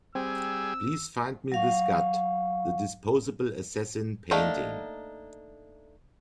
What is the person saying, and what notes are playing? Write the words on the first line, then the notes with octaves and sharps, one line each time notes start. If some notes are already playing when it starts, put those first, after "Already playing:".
Please find me the Scud: The Disposable Assassin painting.
G3 C4 G#4 E6
F#3 F5 C#6
A3 A#3 D4 D#4